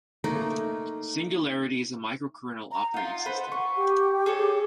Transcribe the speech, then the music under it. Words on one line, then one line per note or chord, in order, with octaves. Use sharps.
Singularity is a microkernel operating system.
A3 A#3 D#4
A#5
D#4 F4 F#5
B4 C5
C#6
G4
G#4 A4 C#5